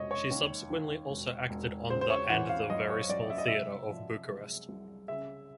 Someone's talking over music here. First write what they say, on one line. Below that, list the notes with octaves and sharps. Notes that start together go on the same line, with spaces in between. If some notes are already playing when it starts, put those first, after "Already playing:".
She subsequently also acted on the and the Very Small Theatre of Bucharest.
Already playing: E1 C3 C#5 D#5
C#5
D#2
D#3
E1
E1
C#3 C5
C5
C#5
E3 F#5
F5
F#2 D#5
C#5
F#2 D5
E5
D#5
C3 E5
F3
G#3
C2
C#3 E5